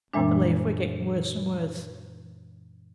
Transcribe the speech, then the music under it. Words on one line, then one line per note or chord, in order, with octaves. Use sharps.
I believe we're getting worse and worse.
F#2 A#2 E3 G#3 D4